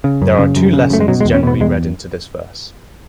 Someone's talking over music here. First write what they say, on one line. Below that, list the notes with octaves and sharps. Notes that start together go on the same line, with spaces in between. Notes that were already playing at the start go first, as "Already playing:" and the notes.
There are two lessons generally read into this verse.
C#3
F#2
C#3
F#2
C#3
F#2 A3
G#3
B2 F#3
G#3
E2
C#4
B2 B3
E2 G#3